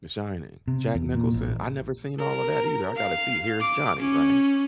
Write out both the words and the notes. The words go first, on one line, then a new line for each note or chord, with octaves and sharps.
The Shining, Jack Nicholson, I never seen all of that either. I gotta see, "Here's Johnny," right?
C3
E2
A#2
A1
A#4
F5
D6
C#4